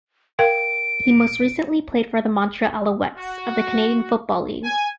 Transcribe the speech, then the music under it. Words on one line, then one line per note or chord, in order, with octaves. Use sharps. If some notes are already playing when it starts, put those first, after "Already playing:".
He most recently played for the Montreal Alouettes of the Canadian Football League.
A#4 F5 G5 D7
F#4
G#5